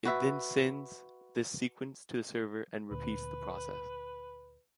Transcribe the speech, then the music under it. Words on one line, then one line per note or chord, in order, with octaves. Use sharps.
It then sends this sequence to the server, and repeats the process.
F#4 B4 E5
D2 A#2 B4